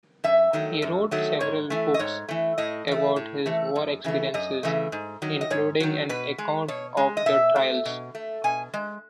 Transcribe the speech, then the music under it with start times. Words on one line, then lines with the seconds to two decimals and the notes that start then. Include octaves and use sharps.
He wrote several books about his war experiences including an account of the Trials.
0.24 F#2 E5
0.53 D#3 F#3 A3
0.82 F#2
1.11 D#3 F#3 A3
1.40 G#2 C#5
1.70 E3 A3
1.94 D#5
1.99 G#2 C#5
2.29 E3 A3
2.58 A2 D#5
2.88 E3 A3
3.16 A2
3.46 E3 A3
3.76 F#2
4.04 C#3 E3 A3
4.34 F#2 D#5
4.63 C#3 E3 A3
4.92 G#2
5.22 D#3 F#3
5.41 D#5
5.50 G#2 C#5
5.80 D#3 F#3
6.09 B2 B4
6.38 G#3
6.68 B2 C#5
6.97 G#3
7.17 D#5
7.26 B2 E5
7.56 A3
7.85 B2
8.15 A3
8.44 B2 G#5
8.74 G#3